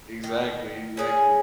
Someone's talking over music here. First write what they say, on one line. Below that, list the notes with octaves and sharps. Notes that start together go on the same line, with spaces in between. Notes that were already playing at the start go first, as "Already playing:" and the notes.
Exactly exactly,
D#3
C#4 G#4 A#4